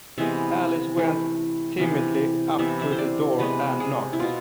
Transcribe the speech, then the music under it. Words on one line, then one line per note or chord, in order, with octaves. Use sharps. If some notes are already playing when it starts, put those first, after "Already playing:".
Alice went timidly up to the door, and knocked.
C3 E3 G#3 B3 E5
E3 A3
C3 E3 B3
C3 E3 B3 E5
E5
C5
D5
C3 G#3 B3 B4
G#4
E4
B2 B3 F4